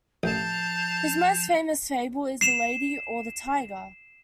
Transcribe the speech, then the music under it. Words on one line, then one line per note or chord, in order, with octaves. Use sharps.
His most famous fable is The Lady, or the Tiger?
A1 F3 A5 G6
C7 E7 F7